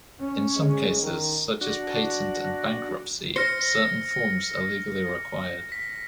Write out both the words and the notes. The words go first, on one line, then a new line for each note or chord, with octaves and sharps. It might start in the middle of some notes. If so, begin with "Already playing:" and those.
In some cases, such as patent and bankruptcy, certain forms are legally required.
C#4
G#3
D#3
D4 F#4
C5 F6 A#6 C#7
B6